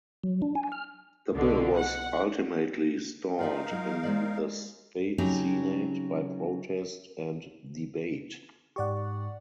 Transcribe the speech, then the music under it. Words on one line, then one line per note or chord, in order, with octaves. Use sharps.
The bill was ultimately stalled in the State Senate by protest and debate.
F#3
D4
G#5
F6
C2 B2 D3
F#5
D#4 F4 A#4 D5 E5 F5
F#3 F4
G#3 C5 D5
C#3 F#3 C4 C#4 D#4 G4
G#2 G4 D5 F#5 C#6